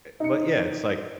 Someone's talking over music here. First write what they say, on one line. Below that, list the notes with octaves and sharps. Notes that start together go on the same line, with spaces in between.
Eh but yeah, it's, like,
D#4 C#7